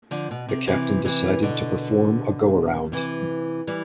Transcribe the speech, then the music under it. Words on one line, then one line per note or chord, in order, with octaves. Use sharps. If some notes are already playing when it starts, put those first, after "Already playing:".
The Captain decided to perform a go-around.
D3 F3
B2
C3
C3 E3
C3 E3
B2 D3
C3 E3
E3 G3